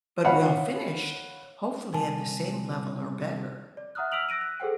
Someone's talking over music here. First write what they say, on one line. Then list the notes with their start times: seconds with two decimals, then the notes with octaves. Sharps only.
but we all finished, hopefully, at the same level or better.
0.25 C#5 F5 F#5 B5
1.94 C2 G#5 A5
3.77 D5
3.95 E5 F#5 A#5 D#6 F6 F#6
4.12 E6 F6 B6 D7 F7 F#7
4.29 E6 F#6 A#6 D7 D#7
4.41 F#6
4.60 G#4 A4 C5 F#5 G5